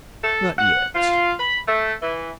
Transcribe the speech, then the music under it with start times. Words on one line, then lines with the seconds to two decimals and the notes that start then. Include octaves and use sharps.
"Not yet."
0.22 A4
0.58 F#5
0.95 F4
1.39 B5
1.68 A3
2.02 E3